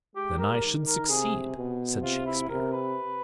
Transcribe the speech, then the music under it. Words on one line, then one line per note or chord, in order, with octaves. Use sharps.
"Then I should succeed," said Shakespeare.
G#3 G4
A#4
D#3
A#4
C3 G#4
B2
C3 F4
E4
C3 A#4
B4